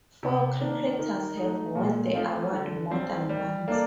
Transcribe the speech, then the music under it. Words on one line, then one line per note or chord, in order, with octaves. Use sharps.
Four cricketers have won the award more than once.
C3
D#3 A#3 D4
D#3
A3 D#4
A#2
F3 A3 C4 F4
D3
G3 C4
G3
A#3 D4 A4 D5